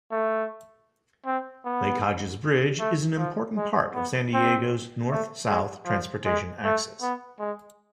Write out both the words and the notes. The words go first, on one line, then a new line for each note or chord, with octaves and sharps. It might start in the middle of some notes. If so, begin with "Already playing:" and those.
Lake Hodges Bridge is an important part of San Diego's North-South transportation axis.
A3
C4
B3
A3
F3
G#3
B3
C4
A3
G#3
F3
G#3
A3
B3
G#3